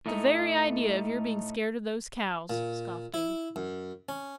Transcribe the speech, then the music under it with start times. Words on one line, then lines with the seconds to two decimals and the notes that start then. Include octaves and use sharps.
"The very idea of your being scared of those cows," scoffed Davy.
0.06 A2 A3 D#4
2.50 A#2
3.14 E4
3.56 F#2
4.09 C#4